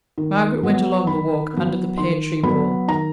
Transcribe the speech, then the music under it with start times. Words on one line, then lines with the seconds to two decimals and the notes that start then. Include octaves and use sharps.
Margaret went along the walk under the pear-tree wall.
0.18 D#3
0.63 F#3 B3
1.07 D#3 B5
1.53 F#3 B3
1.98 D#3 C6
2.43 F#3 B3 B5
2.88 D#3 A#5